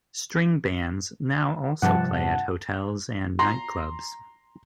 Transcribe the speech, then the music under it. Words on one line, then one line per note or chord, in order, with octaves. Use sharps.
String bands now also play at hotels and nightclubs.
G2 C3 F3 F#5 A5
A#5 C6